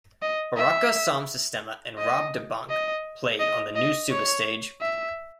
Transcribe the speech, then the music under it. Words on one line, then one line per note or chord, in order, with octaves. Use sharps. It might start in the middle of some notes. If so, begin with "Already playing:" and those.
Buraka Som Sistema and Rob Da Bank played on the new Suba Stage.
D#5
E5
D#5
D#5
D#5
D#5
C#5
E5